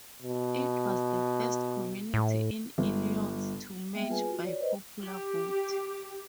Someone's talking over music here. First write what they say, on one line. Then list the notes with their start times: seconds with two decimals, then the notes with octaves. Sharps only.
It was the first community in Illinois to merge by popular vote.
0.22 B2
2.14 A2
2.78 G1
3.94 G3 A#3 B3 E5 G5
4.09 F4 G#4 B4 G#5
4.28 F4 F#4
4.44 C#5 D5
4.60 B4 C5 D#5
5.02 G4